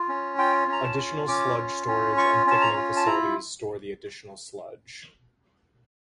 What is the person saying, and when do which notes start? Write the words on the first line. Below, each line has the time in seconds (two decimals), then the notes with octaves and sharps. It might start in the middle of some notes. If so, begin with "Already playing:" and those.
Additional sludge storage and thickening facilities store the additional sludge.
Already playing: F4
0.09 C#4
0.38 F4 G5
0.68 C#4 A#5
0.83 A5
0.97 F4
1.28 C#4 D6
1.57 F4
1.87 C#4
2.16 F4 C#6
2.47 C#4 A5
2.61 A#5
2.76 F4
2.97 A5
3.06 E4 A#5